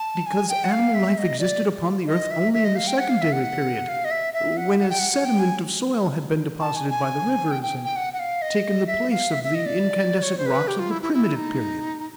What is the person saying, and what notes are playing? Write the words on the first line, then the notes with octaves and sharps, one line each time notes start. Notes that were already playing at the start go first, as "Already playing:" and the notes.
"Because animal life existed upon the earth only in the secondary period, when a sediment of soil had been deposited by the rivers, and taken the place of the incandescent rocks of the primitive period."
Already playing: A5
G#5
G5
F#5
F5
E5
D#5
D5
D#5
E5
E5
D#5
F5
G5
F#5
F5
E5
F#5
F5
D#5
E5
E5
F#5
F#5
G5
F#5
G5
G#5
A5
G#5
G#5
G5
G5
G5
F#5
F#5
F5
D#5
E5
F5
E5
E5
D#5
D5
C#5
C5
B4
G4
F4
E4
E4
E4
D#4